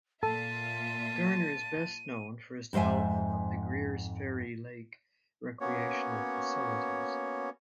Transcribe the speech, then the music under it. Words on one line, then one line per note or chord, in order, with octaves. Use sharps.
Garner is best known for his development of the Greers Ferry Lake recreational facilities.
A#2 F4 A4 E5 A5 D#7
F2 G#2 C5 E5 G#5
A#3 B3 C#4 F#4 C#5